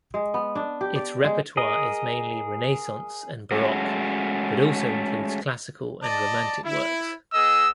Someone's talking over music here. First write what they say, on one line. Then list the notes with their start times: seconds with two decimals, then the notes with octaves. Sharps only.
Its repertoire is mainly Renaissance and Baroque but also includes classical and romantic works.
0.14 G#3
0.34 B3
0.55 D4
0.81 G4
0.96 D5
1.24 G#3
1.57 G#4 A#4 D#5
3.52 G#3 A3 C#4 F#4
6.03 D5 D#5 A5
6.64 E4
7.33 B3 G#4 D#5 E6